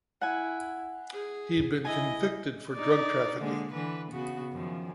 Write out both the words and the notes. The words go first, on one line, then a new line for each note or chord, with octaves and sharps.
He had been convicted for drug trafficking.
E4 F#5 G#5
G#4
E4 D#5 G#5
D#4 D5
D3 G#3 A#3
D3 E3 B4
C#3 B3 F#4
F#2 D#3 F3